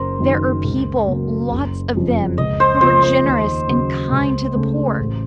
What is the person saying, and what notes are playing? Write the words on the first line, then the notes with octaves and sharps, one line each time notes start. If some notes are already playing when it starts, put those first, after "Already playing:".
There are people, lots of them, who are generous and kind to the poor.
Already playing: F#1 A#4 C5
F#2 D#3
C#2
C#3 F#3 A#3
F#1
F2 C#3 F3
C#2 D#5
C5
C#3 F3 A#3 F4 C5
C5
D#2
C#3 F#3
C#2
C#3 A3
A1